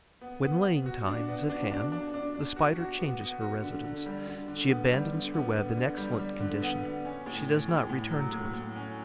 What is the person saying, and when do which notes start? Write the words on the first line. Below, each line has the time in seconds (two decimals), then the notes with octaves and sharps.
When laying-time is at hand, the Spider changes her residence; she abandons her web in excellent condition; she does not return to it.
0.21 B3
0.43 B3
0.64 B3
0.86 F#4
1.08 D4
1.28 B3
1.50 D4
1.72 D4
1.92 D4
2.14 D4
2.34 D4
2.56 F#4
2.78 F#4
2.98 B3
3.21 B3
3.41 F#4
3.63 D3
3.84 D3
4.06 G3
4.27 D3
4.48 D3
4.70 B3
4.91 G3
5.12 D3
5.34 B3
5.55 B3
5.77 D3
5.97 G3
6.19 G3
6.40 D3
6.62 B3
6.83 B3
7.05 C#4
7.26 A2
7.47 C#4
7.69 A2
7.89 A2
8.11 F#3
8.32 A2
8.54 A2
8.76 C#4